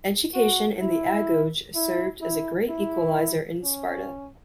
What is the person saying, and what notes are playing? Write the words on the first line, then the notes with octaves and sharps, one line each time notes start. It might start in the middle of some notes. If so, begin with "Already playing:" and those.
Education in the "agoge" served as a great equalizer in Sparta.
F#4
E4
E4
E4
E4
C#4